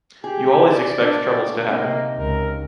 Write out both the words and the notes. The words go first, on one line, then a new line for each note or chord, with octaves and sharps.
You always expect troubles to happen.
G4 G#4
D5
D4
C3 A#3 D#4
C#2 A#4